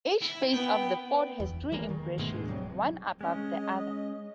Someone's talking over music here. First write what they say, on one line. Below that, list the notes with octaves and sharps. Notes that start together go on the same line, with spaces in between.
Each face of the fort has three embrasures, one above the other.
E4
B3 G5
E2
E3 G3 G#3 A#3
D#3
D2 G#2 B2 G#3
D1 F#3 G3 C4
G#3 C#4 D#5